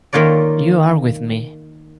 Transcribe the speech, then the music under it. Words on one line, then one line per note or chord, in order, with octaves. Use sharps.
You are with me.
D#3 A#3 F4 C#5 D5